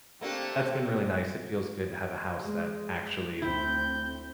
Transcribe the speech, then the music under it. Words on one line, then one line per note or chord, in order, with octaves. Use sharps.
that's been really nice. It feels good to have a house that actually
A3 A#3 C4 D4 G4
G#3
D2 C4 E4 G6